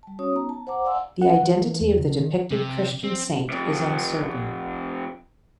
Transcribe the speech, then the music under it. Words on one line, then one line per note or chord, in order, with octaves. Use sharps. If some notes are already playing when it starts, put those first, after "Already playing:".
The identity of the depicted Christian Saint is uncertain.
G3 A5
C#4 F#4 C#5 D#6
B3 D#4 A#5
A5
C5 F#5 A#5 D6
D5 F5 F#5 G#5 C6 E6
F#5
E3
E3
E2
C#3
D#3
C3
C4
F2 C3